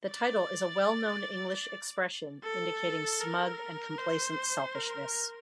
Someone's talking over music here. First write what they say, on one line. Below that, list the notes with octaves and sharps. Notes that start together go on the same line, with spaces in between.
The title is a well-known English expression indicating smug and complacent selfishness.
D5
A4
A#4
C5
A#4